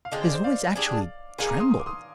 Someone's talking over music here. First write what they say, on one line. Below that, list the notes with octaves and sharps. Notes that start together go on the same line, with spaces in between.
His voice actually trembled.
F5
D3 G#3 C4 F4 C5 D#5
D5
C5
D5 F5
G3 D4 G#4
G#3 D#4 A#4 F5 G#5
A#5 D6
C6 D#6
C6 D#6
D6
C6 D#6